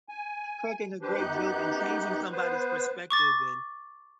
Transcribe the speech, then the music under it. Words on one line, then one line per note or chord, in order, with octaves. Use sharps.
Cracking a great joke and changing somebody's perspective and
G#5
D4 G4 B4 C5
F#2 B3 D#4 G4 F#6 G6
B3 B4 C5
C#6 D6 A6